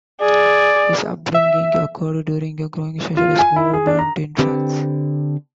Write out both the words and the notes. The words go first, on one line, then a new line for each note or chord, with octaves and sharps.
His upbringing occurred during a growing socialist movement in France.
G#4 D5
E5
F4
G#5
E4
G#4
D4
A#5
D3 C4 G4 B4